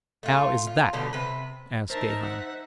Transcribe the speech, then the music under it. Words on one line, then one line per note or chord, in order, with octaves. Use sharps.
"How is that?" asked Gahan.
A3 F4
F4
B2 D3 G3 A3
C3 B4
D#4 A#4 C5 E5 A5
F#5